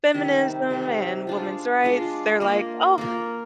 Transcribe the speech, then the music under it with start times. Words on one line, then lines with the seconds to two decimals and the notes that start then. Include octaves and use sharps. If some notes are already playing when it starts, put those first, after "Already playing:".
feminism, and women's rights, they're, like, "Oh,
0.14 C3 D#3 G3
0.71 C3 D#3 G3
1.27 G#3 D4 F4
1.84 G#3 D4 F4
2.41 A#3 F4 A#4
2.98 A#3 F4 A#4